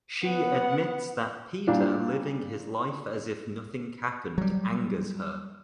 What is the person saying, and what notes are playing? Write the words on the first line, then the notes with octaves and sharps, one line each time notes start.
She admits that Peter living his life as if nothing happened angers her.
B3 F#5
A#2 G3 D4 F5
F#3 G3